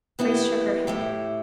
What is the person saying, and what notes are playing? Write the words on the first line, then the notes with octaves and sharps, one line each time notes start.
Grace shook her head.
E3 B3 E4 G4
A2 A3 E4 G4